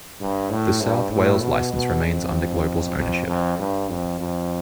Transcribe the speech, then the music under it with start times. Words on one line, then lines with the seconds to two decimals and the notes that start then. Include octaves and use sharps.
The South Wales licence remains under Global's ownership.
0.20 G2
0.50 A2
0.81 G2
1.12 A2
1.42 B2
1.73 B2
2.04 F2
2.97 F2
3.27 F2
3.58 G2
3.89 F2
4.19 F2